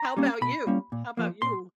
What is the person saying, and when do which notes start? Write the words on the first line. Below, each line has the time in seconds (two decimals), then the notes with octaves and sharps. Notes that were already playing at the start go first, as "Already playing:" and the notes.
How 'bout you? How 'bout you?
Already playing: A#5
0.17 G3 A#3 C#4
0.41 B2 B5
0.67 G3 A#3 C#4
0.92 A#2
1.17 F3 A#3
1.42 A#2 C6